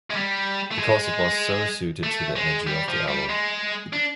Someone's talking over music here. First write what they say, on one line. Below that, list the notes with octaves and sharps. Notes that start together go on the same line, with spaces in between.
Because it was so suited to the energy of the album.
G#3
G3
A3
G#3
A3
G#3
G3
F3
G3
G#3
D4